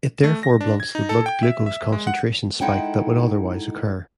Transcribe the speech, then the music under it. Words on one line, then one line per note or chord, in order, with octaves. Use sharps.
It therefore blunts the blood glucose concentration spike that would otherwise occur.
A3
A#6
D4
G#6
D#4
A4
G5
E5
E5
G#3
F#5
G#3 D#4 E4 A4 F#5 G5